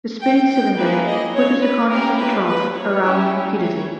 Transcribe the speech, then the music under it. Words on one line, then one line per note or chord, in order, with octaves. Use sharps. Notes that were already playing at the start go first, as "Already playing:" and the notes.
The spinning cylinder pushes the contents of the trough around repeatedly.
G5
G5
A#3 E4 G#4 B4
D#5
C#5
B4
A#3 C#4 E4 G4 A#4
B4
B4
C#5
C#4 E4 G4
C#5